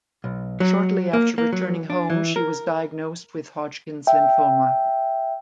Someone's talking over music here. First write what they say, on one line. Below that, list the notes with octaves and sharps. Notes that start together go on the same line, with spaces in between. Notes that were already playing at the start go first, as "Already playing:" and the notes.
Shortly after returning home she was diagnosed with Hodgkin lymphoma.
B1
F#3
A#3
A#3
F#3
D4
E3
A#4
E5 G5